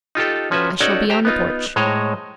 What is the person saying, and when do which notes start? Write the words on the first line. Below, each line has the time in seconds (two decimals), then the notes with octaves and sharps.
I shall be on the porch.'
0.15 D#4 F4 G4 A4
0.51 F3 C#4 F#4 B4 E5
0.80 C#4 D#4 F#4 A4 C#5 D5
1.10 G4 C5 A#5
1.25 B3 D#4 F4
1.76 A2 G#3 C5 C#5 D#5 A#5